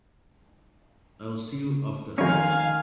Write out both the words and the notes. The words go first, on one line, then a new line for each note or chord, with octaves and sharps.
I'll see you after.
F2 D#3 C#4 F5 G#5